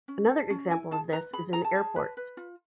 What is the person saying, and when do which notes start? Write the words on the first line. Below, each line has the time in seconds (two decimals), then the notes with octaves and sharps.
Another example of this is in airports.
0.08 C#4
0.29 A4
0.50 C#4
0.71 E4 G#5
0.91 G#4 A5
1.12 B4 A#5
1.33 G#4 B5
1.53 G#4 A#5
1.64 A5
1.75 G#4
1.96 B4
2.17 B4
2.37 F4